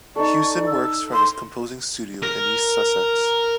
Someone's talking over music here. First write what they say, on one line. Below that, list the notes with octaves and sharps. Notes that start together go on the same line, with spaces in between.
Hewson works from his composing studio in East Sussex.
D#4 A4 D5 C#6
E6
C6
A#4